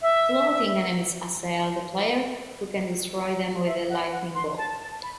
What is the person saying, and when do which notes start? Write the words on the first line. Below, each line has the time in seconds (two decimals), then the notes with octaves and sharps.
Floating enemies assail the player, who can destroy them with a lightning bolt.
0.02 E5
3.66 E5
3.90 F#5
4.12 F#5
4.35 C6
4.58 A5
4.80 A5
5.03 B5